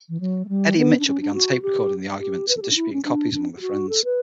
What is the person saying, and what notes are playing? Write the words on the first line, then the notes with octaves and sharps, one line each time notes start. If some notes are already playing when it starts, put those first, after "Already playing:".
Eddie and Mitchell began tape recording the arguments, and distributing copies among their friends.
E3
F#3
A3
G3
B3
D4
C#4
D4
F#4
G4
G4
B4
A4
G4
D4
E4
C#4
D4
D4
G4
F#4
A4
B4